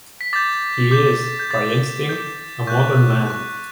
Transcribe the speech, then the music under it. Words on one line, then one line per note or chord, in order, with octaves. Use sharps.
He is, by instinct, a modern man.
B6
D6 G6 A6
D6 G6
G6
D6 G6 A6
D6 G6
C#6 F#6 G6
C#6 F#6